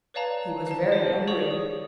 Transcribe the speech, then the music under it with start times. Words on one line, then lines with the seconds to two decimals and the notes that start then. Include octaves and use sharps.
He was very angry.
0.14 B4 C#5 D5 F5 A5 A#5
0.67 F5 A5
0.92 C5
1.27 G4 G#4 C#5 D5 C#6
1.51 D#6